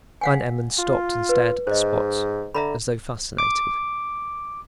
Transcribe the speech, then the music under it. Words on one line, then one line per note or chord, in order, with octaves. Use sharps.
Van Emmon stopped and stared at the spot as though fascinated.
F5 F#5 G#5
F4
B4
G#2 C5 D#5
D3 E5 A#5 B5
D6